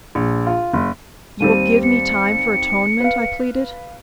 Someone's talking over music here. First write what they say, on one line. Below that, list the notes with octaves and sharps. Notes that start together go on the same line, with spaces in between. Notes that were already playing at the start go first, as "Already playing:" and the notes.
"You will give me time for atonement?" I pleaded.
A#1
F4
F#1
D#2 G3 C4 D#7
C#7
B4 F5